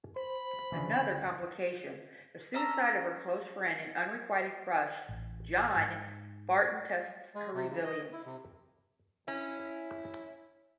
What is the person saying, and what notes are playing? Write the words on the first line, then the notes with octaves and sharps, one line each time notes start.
Another complication-the suicide of her close friend and unrequited crush, John Barton-tests her resilience.
C5 B5
D2 C#3 E3 D4
C#4 A5 A#5 E6
A1
G#2
G#3
C3
C#3
D#5
E4
C3
C#4 E4